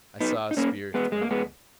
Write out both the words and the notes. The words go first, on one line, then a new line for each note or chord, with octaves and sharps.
I saw a spear thrown.
B3 D#4
D#4
A#3 C#4
G#3 B3
G#3
A#3
G#3 B3